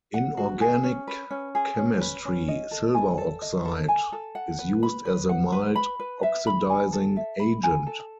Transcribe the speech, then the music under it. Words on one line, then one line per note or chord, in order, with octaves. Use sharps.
In organic chemistry, silver oxide is used as a mild oxidizing agent.
F#5
F#4
G#4
C#4
B4
C#4
G#4
C#4
B4
C#4
D#5
A4
G#5
A4
D#5
A4
G#5
A4
F#5
B4
B5
B4
F#5
B4
B5
B4
E5
B5
G#5
A4
E5
B5
G#5
A4